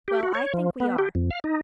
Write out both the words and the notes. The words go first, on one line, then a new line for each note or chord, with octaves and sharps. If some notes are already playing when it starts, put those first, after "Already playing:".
Well, I think we are.
G4
F#4
C#5
F3
B3
G4
F2
F5
D#4